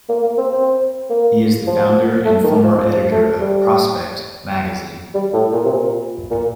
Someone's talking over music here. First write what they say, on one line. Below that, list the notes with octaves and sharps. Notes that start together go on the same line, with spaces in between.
He is the founder and former editor of "Prospect" magazine.
A#3
A#3
C4
C4
A#3
F3
A3
D#3
F3
F3
A3
G3
G3
A2
A#2
C3
A#2
A#2